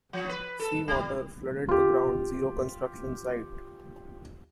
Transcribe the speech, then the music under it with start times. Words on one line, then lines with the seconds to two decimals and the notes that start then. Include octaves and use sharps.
Sea water flooded the Ground Zero construction site.
0.13 F3
0.29 B4
0.59 A4
0.88 G3
1.69 F4 G4